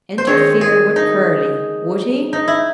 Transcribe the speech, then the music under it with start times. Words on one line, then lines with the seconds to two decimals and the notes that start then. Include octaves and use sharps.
Interfere with Curly, would he?
0.18 C5
0.27 D#3 G#3 C4 C#5
0.61 G#4
0.96 D#4
2.33 D#4
2.48 E4